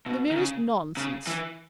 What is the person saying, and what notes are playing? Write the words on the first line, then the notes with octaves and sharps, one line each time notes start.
'The merest nonsense.'
B2
D#3
C#3
C#3
E3